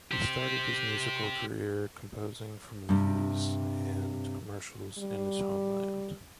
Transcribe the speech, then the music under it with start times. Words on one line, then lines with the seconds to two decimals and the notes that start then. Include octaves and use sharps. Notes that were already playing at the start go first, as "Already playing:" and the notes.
He started his musical career composing for movies and commercials in his homeland.
0.11 G4 C5
2.89 G2 C3
4.99 G3